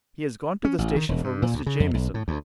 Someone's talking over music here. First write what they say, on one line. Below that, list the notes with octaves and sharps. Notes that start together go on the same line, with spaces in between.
He has gone to the station for Mr. Jamieson.
C#4
A1
D#3
E1
G2
A#2
D2
C#3
F2
B1
A2
D2